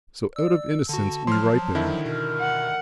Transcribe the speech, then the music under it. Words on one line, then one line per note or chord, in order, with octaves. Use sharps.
So out of innocence we ripen.
D5 E6
D3 F#4 A5
F3 F#3 C6 F6
D3 D#3 E4
B2 A#4
F#5